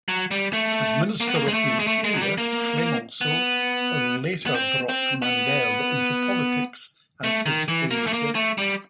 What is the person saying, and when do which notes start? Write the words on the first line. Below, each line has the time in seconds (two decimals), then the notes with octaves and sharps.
As Minister of the Interior, Clemenceau later brought Mandel into politics as his aide.
0.08 F#3
0.31 G3
0.53 A3
1.20 A#3
1.27 B3
1.34 A#3
1.48 G#3
1.54 A3
1.79 G#3
1.87 A3
2.04 G#3
2.13 F#3
2.21 G3
2.38 A#3
3.21 B3
4.46 B3
4.55 C4
4.89 C4
5.22 B3
7.24 A3
7.46 D#3
7.68 E3
7.91 A#3
8.07 A3
8.13 A#3
8.35 A3
8.58 G3